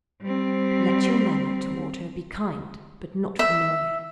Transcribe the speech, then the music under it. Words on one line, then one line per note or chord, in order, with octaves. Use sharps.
Let your manner toward her be kind, but not familiar.
G3 C4
E5